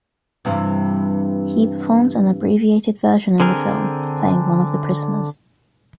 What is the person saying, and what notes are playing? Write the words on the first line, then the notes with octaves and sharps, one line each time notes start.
He performs an abbreviated version in the film, playing one of the prisoners.
G2 C3 E3
D3 C4 G#4 A#4